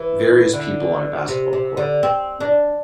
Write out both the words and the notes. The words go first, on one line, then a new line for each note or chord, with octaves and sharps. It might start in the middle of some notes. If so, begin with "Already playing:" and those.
Various people on a basketball court.
Already playing: E3
D3
C3
C3
D3
C4
D4